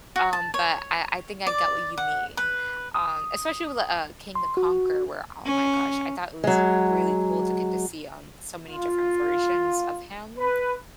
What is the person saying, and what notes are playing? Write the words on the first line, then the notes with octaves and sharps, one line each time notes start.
um, but I I think I get what you mean, um, especially with, uh, King the Conqueror where oh my gosh, I thought it was really cool to get to see, um, so many different versions of him,
F#4
A5
C#5
D5
F#5
B4
D#6
C6
F#4
C#4
F#3 G#3
F4
B4